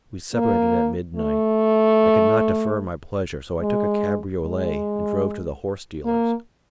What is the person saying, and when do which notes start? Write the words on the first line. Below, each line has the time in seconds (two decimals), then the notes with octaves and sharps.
We separated at midnight. I could not defer my pleasure, so I took a cabriolet and drove to the horse dealer's.
0.34 A#3
1.16 A3
3.61 G#3
4.43 G#3
6.05 A#3